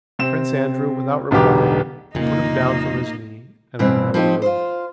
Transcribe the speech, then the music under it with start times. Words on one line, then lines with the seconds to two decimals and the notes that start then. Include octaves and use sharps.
Prince Andrew, without replying, put him down from his knee and went out of the room.
0.19 C3 C4 E7
1.31 E1 B1 D3 B3 G4 D6
2.15 F1 A#2 C#3 A#3 D#4
3.79 G2 B2 E3 C4
4.14 F3 C4 D#4 G4
4.42 F4 C5